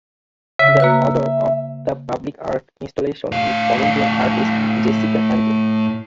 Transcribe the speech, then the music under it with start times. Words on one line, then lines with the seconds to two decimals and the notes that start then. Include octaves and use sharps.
The author of the public art installation is Colombian artist Jessica Angel.
0.59 C#3 E5
0.80 A#3 F#4 B4
3.32 A2 F5